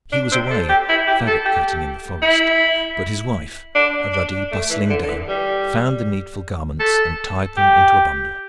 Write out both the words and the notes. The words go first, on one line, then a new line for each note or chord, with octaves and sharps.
He was away faggot-cutting in the forest, but his wife, a ruddy bustling dame, found the needful garments and tied them into a bundle.
D4
C4
A4
G4
E4
G4
A4
G4
E4
D4
D4
A3
E3
D3
D3
E3
G3
A4
G4